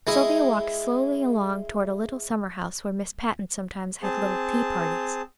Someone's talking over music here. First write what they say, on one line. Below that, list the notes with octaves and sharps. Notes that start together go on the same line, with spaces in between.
Sylvia walked slowly along toward a little summer-house where Miss Patten sometimes had little tea-parties.
G#3 E4 D#5 E5
C4 G#4 A5